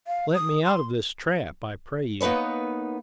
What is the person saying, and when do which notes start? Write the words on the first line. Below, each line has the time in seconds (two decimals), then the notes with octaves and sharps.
Let me out of this trap, I pray you.
0.07 F5
0.34 D#6
0.64 C6
2.20 A#3 B3 D#4 B4 C#5